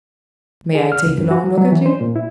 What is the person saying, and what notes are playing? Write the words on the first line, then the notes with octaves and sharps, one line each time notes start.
"May I take a long look at you?"
G#4
F6
C#2
F#2
F#4
F#3
F#3
E3
C5
A#2
E4